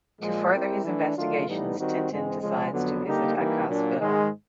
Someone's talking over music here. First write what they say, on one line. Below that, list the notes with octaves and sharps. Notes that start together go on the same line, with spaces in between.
To further his investigations, Tintin decides to visit Akass' villa.
A#2 F3 G#3
G3 C4 E4 G4 A#4
E3 A3 D4
D#3 F#3 A3 D4 F4
A2 E3 G3 B3 D#4
D#3 G3 C4 D#4 F#4
G#2 E3 G#3 C4
C#3 F3 G#3
F2 D3 F#3 B3
D3 G3 A#3 D#4 G4
E3 G3 A#3 D#4 G4
A#2 F#3 A#3 D4
G#2 D#3 G#3